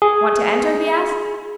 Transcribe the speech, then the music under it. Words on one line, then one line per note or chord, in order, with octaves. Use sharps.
"Want to enter?" he asked.
G#4